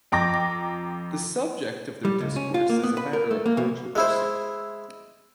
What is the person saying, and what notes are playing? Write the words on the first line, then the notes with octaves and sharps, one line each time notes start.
The subject of their discourse is a matter of controversy.
F2 G5 A#5 D6 A#6
G3
C#2
C#4
F4
A#3
B3
B4
A#4
A3
A#3
B2
G#3 E4 C5